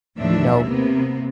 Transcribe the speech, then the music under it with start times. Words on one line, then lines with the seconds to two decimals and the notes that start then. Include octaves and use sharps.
you know,
0.17 D#2 A2 F3 D4 E5
0.66 C3 A#3 B3